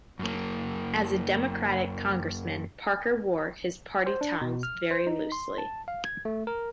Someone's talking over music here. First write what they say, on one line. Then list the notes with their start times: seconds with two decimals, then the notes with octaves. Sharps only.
As a Democratic congressman, Parker wore his party ties very loosely.
0.19 F#2 A#3
4.06 C5
4.21 D4
4.41 B2
4.63 F6
4.91 C5
5.07 D#4
5.32 C6
5.58 A5
5.88 F5
6.05 G#6
6.25 A3
6.47 A#4